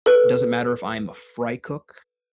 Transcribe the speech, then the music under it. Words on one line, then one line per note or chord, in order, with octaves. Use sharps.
it doesn't matter if I'm a fry cook
A4 B4